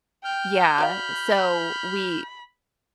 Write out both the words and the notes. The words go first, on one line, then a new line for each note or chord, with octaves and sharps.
yeah, so we
G5 F6 G6
F#4 D5 F5 B5